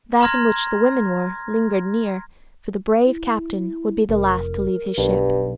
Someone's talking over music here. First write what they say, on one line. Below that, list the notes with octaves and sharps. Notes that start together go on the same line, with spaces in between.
That in which the women were lingered near, for the brave captain would be the last to leave his ship.
A#5 C6 F6 G#6 A#6
E4
F1 A#4
B1 G2